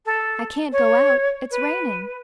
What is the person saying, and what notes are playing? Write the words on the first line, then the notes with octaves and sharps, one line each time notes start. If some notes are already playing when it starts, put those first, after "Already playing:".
I can't go out, it's raining.
A4
C#5
B4